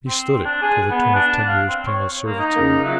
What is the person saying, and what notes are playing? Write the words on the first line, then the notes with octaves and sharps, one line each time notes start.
He stood it--to the tune of ten years' penal servitude.
C4
D4
G#4
B3
D4
F5
C4
C#5
A#3
D#4
C#3 A#3
F#3 F4 E5